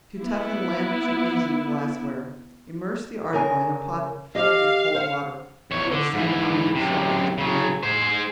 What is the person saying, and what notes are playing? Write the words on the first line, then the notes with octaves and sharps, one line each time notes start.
To Toughen Lamp Chimneys and Glassware.--Immerse the article in a pot filled with cold water, to which some common salt has been added.
B3 E4
C#3 A#4 G#5
G4 D#5 F5
C5 F#5
E2 C#5
D3
G#2 E3
F#2 C3
C#3 F#3
G#4 C5